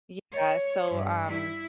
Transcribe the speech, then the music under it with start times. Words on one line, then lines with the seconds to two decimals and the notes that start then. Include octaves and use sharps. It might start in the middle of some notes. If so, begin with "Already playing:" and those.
yeah. So, um
0.32 C#5
0.91 G2
1.27 E4